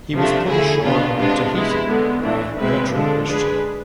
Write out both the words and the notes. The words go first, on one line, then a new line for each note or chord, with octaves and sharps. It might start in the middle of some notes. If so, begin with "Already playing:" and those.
He was put ashore on Tahiti by Fletcher Christian.
C3 F3 A3 D4
D3 A3 E4 G#4
B2 B3 D4 F4
C3 G#3 B3 D4 F4
G#3 B3 E4
D3 G#3 B3
E3 A3 D4
B2 G#3 C4 E4 B4
D3 F3 G#3 D4 A4
G#3 D4 G#4 B4